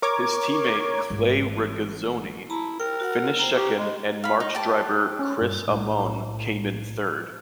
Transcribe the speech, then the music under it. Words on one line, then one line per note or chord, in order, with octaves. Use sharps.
His teammate Clay Regazzoni finished second and March driver Chris Amon came in third.
A#4 C#5 D6 G#6
G#1 E3
E4 A5 A#5
A#4 G5
F#4 F#5
C5 G5 A#5
G4
G#3
F5 B5
D#4
G4 A5
C#4
G2
B1 A2